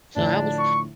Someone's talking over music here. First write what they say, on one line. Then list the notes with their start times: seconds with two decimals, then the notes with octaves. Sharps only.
So I was
0.16 A2 D3 F3 D4
0.59 C#6